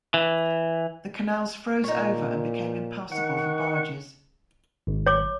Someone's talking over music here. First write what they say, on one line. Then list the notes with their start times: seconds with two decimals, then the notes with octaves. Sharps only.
The canals froze over and became impassable for barges.
0.14 E3
1.84 A#2 D#4 C#5
3.12 D#3 F#5 C#6
4.87 G#1
5.06 C#5 D6